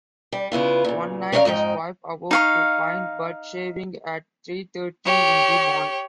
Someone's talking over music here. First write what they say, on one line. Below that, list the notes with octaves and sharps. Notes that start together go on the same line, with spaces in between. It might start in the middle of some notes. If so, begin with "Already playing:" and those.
One night, his wife awoke to find Budd shaving at three-thirty in the morning.
G3
C#3 B3 E4 F4
A#2 C#3
B3 C#4 E4 A#4 D5 F5
F2 G#2 D#4 G5
D#4 F5 C#6
G4 C#5